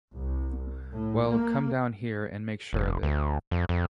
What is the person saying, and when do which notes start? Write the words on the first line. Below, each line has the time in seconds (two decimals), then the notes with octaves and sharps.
Well, come down here and make sure of it.
0.15 C2
0.93 A2
1.28 A#3
2.73 F1
3.03 D2
3.51 F2
3.69 F2